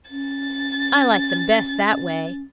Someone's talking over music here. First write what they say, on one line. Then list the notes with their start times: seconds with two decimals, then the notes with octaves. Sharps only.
I like them best that way.
0.11 C#4 A6